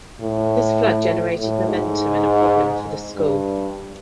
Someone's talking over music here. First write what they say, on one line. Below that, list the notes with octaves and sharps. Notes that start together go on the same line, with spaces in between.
This flood generated momentum and a problem for the school.
A2
A2
G#2
G2